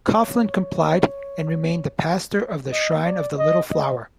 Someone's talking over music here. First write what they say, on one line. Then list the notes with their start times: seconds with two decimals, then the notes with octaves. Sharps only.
Coughlin complied and remained the pastor of the Shrine of the Little Flower.
0.09 C#5
2.72 D#5
3.05 D5
3.38 D#5
3.71 D#5